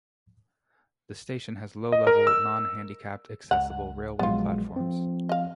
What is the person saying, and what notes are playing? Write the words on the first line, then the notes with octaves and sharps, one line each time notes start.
The station has low-level, non-handicapped accessible, railway platforms.
D#5
A#4
E6
C#2 F#5 A#5
A#1 F#3 G#3 B3 F4
F3 C4
D#5 F5